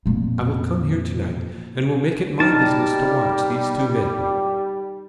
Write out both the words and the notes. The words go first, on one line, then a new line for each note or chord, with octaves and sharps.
I will come here to-night and will make it my business to watch these two men.
F2 A#2
G3 D#4 A#4 A5